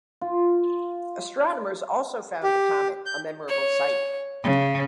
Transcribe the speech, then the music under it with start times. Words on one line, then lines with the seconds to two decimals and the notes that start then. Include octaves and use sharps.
Astronomers also found the comet a memorable sight.
0.21 F4
2.43 G4
3.06 G6
3.48 C#5
4.45 C#3